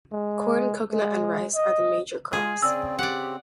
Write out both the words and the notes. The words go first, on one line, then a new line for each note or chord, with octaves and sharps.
Corn, coconut, and rice are the major crops.
G#3
G#3
D#5
G#3 F4 G#4
C#3 C4 D5 E6
G4 D5 F#5